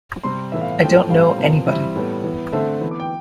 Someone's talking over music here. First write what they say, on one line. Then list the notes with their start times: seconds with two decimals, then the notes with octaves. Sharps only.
I don't know anybody.
0.24 C3 G3 C4 C6
0.52 A2 E3 B3 E5
0.61 F5
0.72 F5
0.81 A2 F3 C4 G5
1.09 A2 G3 C4 F5
1.38 C3 F3 B3
1.67 E3 G3 C4 E5
1.96 A2 G3 B3
2.24 E3 B3
2.52 D3 A3 C4 E5
2.81 E3 B3
2.91 D6
3.00 G5